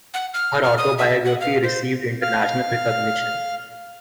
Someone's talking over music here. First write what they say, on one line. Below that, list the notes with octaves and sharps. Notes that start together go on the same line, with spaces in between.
Her autobiography received international recognition.
F#5
F6
F6
D#6
E5
F#5
F5
C5
F5 F6